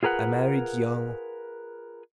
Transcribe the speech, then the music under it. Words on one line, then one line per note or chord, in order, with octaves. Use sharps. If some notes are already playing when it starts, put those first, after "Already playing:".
I married young.
F4 G#4 A#4 B4 F#5